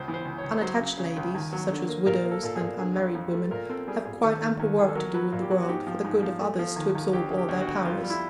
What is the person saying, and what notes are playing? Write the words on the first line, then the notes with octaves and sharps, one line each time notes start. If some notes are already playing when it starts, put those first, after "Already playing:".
Unattached ladies, such as widows and unmarried women, have quite ample work to do in the world for the good of others to absorb all their powers.
Already playing: C#2 C5
E3
C5
C#2
C#5
C#2
F#3 C5
C#3
C#3
C#2
D#2
F#3
D3
A#3
A#2 A#4
A#3
A4
A#2 A4
G#4
A#2
D3 G#4
F2
F2
A3
A#2 A#4
C4 A4
G3 G#4
A#2 G#4
D#2 A4
D#2
D#2
D#2 G#4
A4
F#3 A#4
F#3 B4
A#2
G4
F#3 F#4
F#4
G#2 G4
F3
G#2
F3
A3
F3
D#2
D#2
D2 G4
D2
G4
D2
F#4
D2
F2 F4
G3
E4